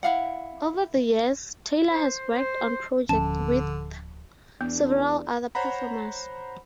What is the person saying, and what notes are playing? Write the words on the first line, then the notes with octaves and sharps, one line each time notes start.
Over the years, Taylor has worked on projects with several other performers.
E4 F5 F#5
C5
C5
D1 D3 F3 C#4 A5
E2 B3 D4
C5 C#5 F#5 A#5 B5